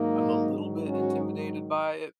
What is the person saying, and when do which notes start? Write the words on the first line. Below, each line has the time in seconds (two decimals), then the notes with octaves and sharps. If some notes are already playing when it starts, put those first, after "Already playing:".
I'm a little bit intimidated by it,
Already playing: G#2 D#3 F#3 A#3 D#4
0.88 C#4 F#4